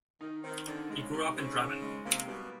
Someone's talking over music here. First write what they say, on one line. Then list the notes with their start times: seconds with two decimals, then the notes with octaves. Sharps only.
He grew up in Drammen.
0.21 D#3 D#4
0.44 D#3 C4
0.67 D3 D#3
0.90 C#3 G#3
1.13 C3 D#4
1.36 C#3 C4
1.59 D#3
1.82 G#3
2.05 C3 A#3
2.28 B2 G3